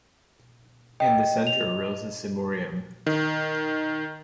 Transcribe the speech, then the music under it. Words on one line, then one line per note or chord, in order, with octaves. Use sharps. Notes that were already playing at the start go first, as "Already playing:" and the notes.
In the centre rose the ciborium.
D#5 G5
F7
D#3